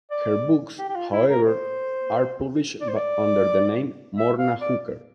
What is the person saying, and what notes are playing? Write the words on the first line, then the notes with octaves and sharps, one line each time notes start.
Her books, however, are published under the name Morna Hooker.
D5
G4
G4
F4
E4
A#4
C5
D5
C5
D5
E5
F5
D5